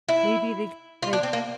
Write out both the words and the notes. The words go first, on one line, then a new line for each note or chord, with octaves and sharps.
maybe they c like,
E4
F4
D4
C4
A#3